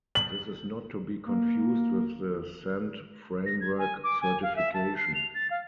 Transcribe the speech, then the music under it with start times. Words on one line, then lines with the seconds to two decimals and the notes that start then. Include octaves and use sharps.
This is not to be confused with the Zend Framework Certification.
0.15 F#7
1.26 A#3
3.46 A#6
3.61 G#6
3.78 G#5
4.04 D6
4.21 G#5
4.43 F5
4.56 E5
4.74 A5
4.97 C7
5.15 F7
5.34 A6
5.51 F5